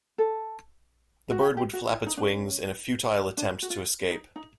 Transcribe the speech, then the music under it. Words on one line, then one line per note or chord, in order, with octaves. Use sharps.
The bird would flap its wings in a futile attempt to escape.
A4
F#4
G4
G4
F#4
E4
D#4
D4
C#4
D4
F#4
F4
D#4
D#4